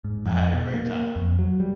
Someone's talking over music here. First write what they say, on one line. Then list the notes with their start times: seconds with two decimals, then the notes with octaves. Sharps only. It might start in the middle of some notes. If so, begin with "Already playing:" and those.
I had a great time.
0.04 G#2
0.26 F2
0.54 B2
0.74 A#3
1.16 F2
1.39 F#3
1.60 G3